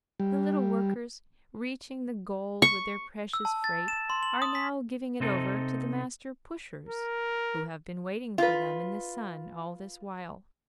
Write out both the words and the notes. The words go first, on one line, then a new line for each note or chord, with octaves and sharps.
The little workers, reaching the goal with their precious freight, are now giving it over to the Master Pushers, who have been waiting for them in the sun all this while.
G3
C#6
E6
A5
A6
E7
C6
F#7
D#6
B6
C3 C4 D#4 A4
A#4
F4 B4